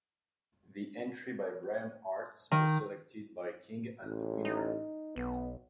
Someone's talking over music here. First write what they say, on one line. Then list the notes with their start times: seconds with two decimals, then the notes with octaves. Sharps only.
The entry by Brian Hartz was selected by King as the winner.
2.52 D#3
4.04 A1
4.45 D#4
5.16 B1 B3